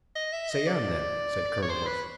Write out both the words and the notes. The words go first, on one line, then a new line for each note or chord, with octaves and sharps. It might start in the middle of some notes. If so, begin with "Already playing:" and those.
"Say on, then," said Colonel Murphy.
D#5
E5
D#5
D5
C#5
C5
B4